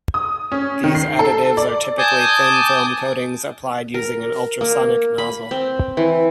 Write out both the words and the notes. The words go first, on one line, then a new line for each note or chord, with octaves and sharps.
These additives are typically thin film coatings applied using an ultrasonic nozzle.
D#6
C#4
D#3
C7
A4
D5
G#5 A5 D6 D#6 G6
A#4
A#3
B5
C4
E3